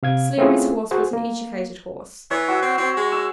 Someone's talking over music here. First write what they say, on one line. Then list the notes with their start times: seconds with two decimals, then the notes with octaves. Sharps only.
Sleary's horse was an educated horse.
0.03 C3 F5 G#6
0.38 A3 C4 C#4 E4 F4 G#4
0.91 F#4 G#4 C5
1.13 A#3
2.31 E3 C#5
2.48 F#4 E6
2.62 C4
2.78 C4 F#4
2.97 G#3
3.12 E6